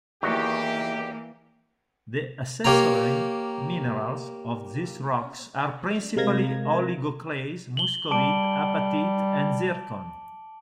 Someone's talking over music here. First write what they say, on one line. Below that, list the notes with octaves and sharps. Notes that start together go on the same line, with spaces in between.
The accessory minerals of these rocks are principally oligoclase, muscovite, apatite and zircon.
E2 D#3 E3 A#3 F#4 G4
A#3 G4 C#5 F5 A#5
C3 G#3 A#4 F5 G#6 A#6
F#7 G7
G3 A5 D6 D7